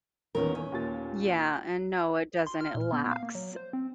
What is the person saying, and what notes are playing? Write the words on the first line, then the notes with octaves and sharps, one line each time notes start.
Yeah, and no, it doesn't, it lacks
E2 A#2 D#3 B3 C#4 A#4
C#4
D#2 A#2 A6
C6
F6
A#2
B3
F5
A#3
F#3
C5
C4